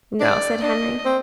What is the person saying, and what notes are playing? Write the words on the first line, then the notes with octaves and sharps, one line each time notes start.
"No," said Henry.
D4 D5
D4 D#5
C4